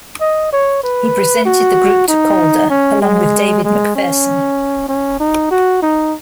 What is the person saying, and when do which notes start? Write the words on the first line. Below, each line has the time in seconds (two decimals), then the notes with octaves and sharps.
He presented the group to Calder along with David McPherson.
0.21 D#5
0.53 C#5
0.84 B4
1.45 F#4
2.08 D#4
2.70 C#4
3.02 G#3
3.65 G#3
3.95 C#4
4.89 C#4
5.20 D#4
5.51 F#4
5.82 D#4